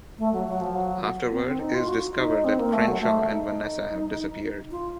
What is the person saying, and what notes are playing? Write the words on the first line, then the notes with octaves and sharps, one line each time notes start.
Afterward, it is discovered that Crenshaw and Vanessa have disappeared.
A3
F#3
F#3
F3
F#3
C4
C4
D#4
F4
F#4
D#4
C4
A#3
A3
F#3
A3
D#4
F4